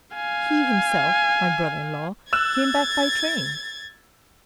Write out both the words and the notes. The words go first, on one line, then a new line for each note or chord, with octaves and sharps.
He himself--my brother-in-law--came back by train.
F5 G#5
E6 F#6 G#6 A6 E7